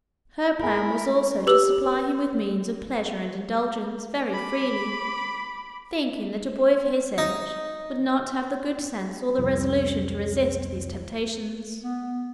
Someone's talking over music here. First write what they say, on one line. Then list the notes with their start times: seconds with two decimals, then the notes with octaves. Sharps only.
Her plan was also to supply him with means of pleasure and indulgence very freely, thinking that a boy of his age would not have the good sense or the resolution to resist these temptations.
0.59 E4 G#4 A#4 B5
1.47 G4 B4 E6 F#7
4.29 B5 D6
7.18 D#4
9.38 C2 F2
11.83 B3